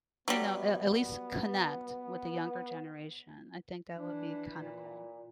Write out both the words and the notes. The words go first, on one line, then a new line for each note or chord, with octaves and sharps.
You know, a at least connect with the younger generation, I think that would be kinda cool.
F#3 G3 B3
E3 D4
A#2